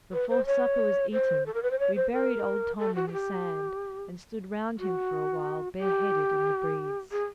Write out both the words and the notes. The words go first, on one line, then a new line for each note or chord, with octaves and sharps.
Before supper was eaten we buried old Tom in the sand and stood round him for a while bare-headed in the breeze.
B4
C5
C#5
C5
A4
A#4
B4
C5
C#5
C5
A#4
A4
F#4
G#4
G4
F#4
G4
G#4